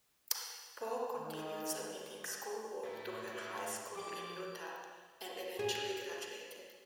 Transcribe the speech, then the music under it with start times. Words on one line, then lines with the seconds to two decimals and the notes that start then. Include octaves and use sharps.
Poe continued submitting schoolwork to her high school in Utah and eventually graduated.
1.15 D#3
2.85 A3 E4 A#5
3.11 E5
3.96 F3 D6
5.59 G#4